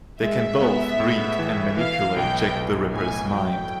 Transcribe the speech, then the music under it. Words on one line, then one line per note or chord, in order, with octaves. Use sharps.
They can both read and manipulate Jack the Ripper's mind.
G#3 E5
B3
A2
E3
E3 F5
B1 G5
B1
A2 G#5
F#3 G5